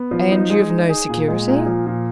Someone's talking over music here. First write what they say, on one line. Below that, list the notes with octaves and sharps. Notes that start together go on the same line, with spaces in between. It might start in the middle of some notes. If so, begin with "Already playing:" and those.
"And you've no security?"
Already playing: B3
F3
D#4
G#3
D#4
G#4
A#2
G#3
A#2
F3
A#2